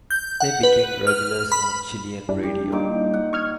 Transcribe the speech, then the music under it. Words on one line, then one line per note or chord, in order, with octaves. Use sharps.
They became regulars on Chilean radio.
G6
F#5
B4
F6
B5
G3 D4 E4
G4
A#2 D#3 D6
F#5
D#5 C#6 F6 G#6